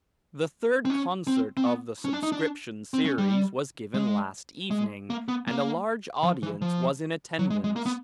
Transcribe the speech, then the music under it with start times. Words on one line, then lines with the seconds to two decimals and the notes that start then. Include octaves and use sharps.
The third concert of the subscription series was given last evening, and a large audience was in attendance.
0.85 C4
0.90 C#4
1.27 C4
1.57 C4
1.66 B3
2.05 C#4
2.13 D4
2.23 D#4
2.32 D4
2.94 C4
3.05 C#4
3.18 G3
3.94 G#3
4.71 G#3
5.10 A#3
5.28 B3
5.47 A#3
6.23 F3
6.43 E3
6.61 F3
7.39 F#3
7.50 G#3
7.64 G#3
7.76 A#3
7.86 B3